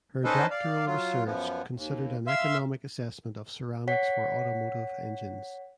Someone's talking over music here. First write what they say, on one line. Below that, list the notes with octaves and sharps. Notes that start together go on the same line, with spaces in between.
Her doctoral research considered an economic assessment of ceramics for automotive engines.
C#4 D#4 A4 B4 C5 D#5
D5 F5
F#3 F4
F#2 F3 B3
D#2
E5 F5 C6 E6
C#5 F#5 B6